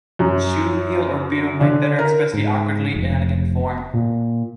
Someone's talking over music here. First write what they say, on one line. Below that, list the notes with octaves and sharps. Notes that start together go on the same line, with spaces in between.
Shoe heel or beetle might better express the awkwardly inelegant form.
F#2
D3
A#4
G#2
F1
A#2